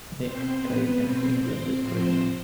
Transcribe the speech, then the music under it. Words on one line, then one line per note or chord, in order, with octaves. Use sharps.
Mick played against England at Twickenham.
B2 C4 C5
B3 B4
B2 C4 C5
C4 C5
A2 F3 C4 C5